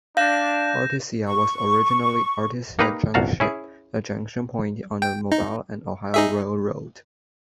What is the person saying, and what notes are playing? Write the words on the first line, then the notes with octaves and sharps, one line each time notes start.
Artesia was originally "Artesia Junction", a junction point on the Mobile and Ohio Railroad.
D4 F5 G6 A#6 E7
C#6
A#3 D#4 G4 B4 F5 A#5
G1 C2 F#4 F5 A5 A#5
C#4 E4 G#4
G5
D#4
D#4 G#4 E5